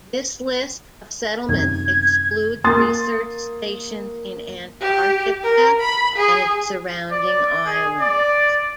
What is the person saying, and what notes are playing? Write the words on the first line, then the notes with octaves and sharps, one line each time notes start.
This list of settlements excludes research stations in Antarctica and its surrounding islands.
F#2 C3 D#3 G#6
A#3 C6 D#6 A6
G4
A#4
B5
G#4
D5
G#4
D5